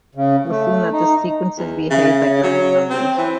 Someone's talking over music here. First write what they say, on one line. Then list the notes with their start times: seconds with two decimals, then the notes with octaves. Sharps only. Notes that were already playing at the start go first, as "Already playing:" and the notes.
Assume that the sequences behave like random numbers.
0.15 C#3
0.49 A3
0.92 D#4
1.58 E2
1.91 C#3 E5
2.28 C#5
2.43 F#3
2.90 C4 C5
3.18 E3 C5